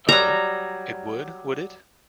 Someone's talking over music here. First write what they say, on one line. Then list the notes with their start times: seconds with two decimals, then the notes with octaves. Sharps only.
Oh, it would, would it?
0.09 F#3 G3 A#5